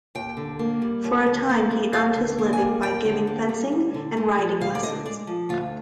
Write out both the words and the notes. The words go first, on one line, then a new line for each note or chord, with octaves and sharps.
For a time he earned his living by giving fencing and riding lessons.
D#2 G5
D3
A#3
G3
D#2
D3
A#3
G3
D#2 F5
D3
A#3
G#5
G3
D#2 G5
D3
A#3
G3
D2
D3
G#3
F3
D2 F5
D5
D3 D#5
G#3 D5
F3
D2 F4